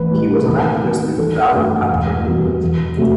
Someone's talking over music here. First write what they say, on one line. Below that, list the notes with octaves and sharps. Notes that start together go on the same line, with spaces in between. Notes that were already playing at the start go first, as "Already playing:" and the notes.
He was an activist in the Dalit Panther movement.
Already playing: A1 B4
A2 G3
D#2
D#3 F#3 B3
A1 A4
G2 F#3 A3
E1
E2 B2 G3 B3
E2
C3 F#3 A3